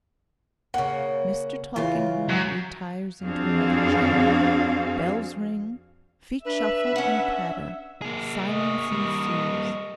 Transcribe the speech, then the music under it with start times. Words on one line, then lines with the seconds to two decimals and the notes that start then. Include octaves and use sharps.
Mr. Tulkinghorn retires into another chamber; bells ring, feet shuffle and patter, silence ensues.
0.74 C#3 A#3 F#5
1.76 C#3 E3 F4
2.29 F#2
3.24 F2 C4 D4 F#4 G#4 F5
6.45 D4 B4 E5
6.96 C#4 F#5
8.02 A#3 G#4
8.48 D#5 C#6
8.92 G3 A#3